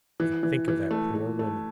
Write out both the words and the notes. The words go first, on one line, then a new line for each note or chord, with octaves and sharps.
And think of that poor woman!
E3
E3
E3
A3
A3
A3